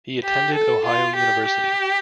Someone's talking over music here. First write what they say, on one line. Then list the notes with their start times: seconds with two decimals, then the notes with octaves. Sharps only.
He attended Ohio University.
0.24 G4
0.55 A4
0.86 F4
1.16 G4
1.47 G4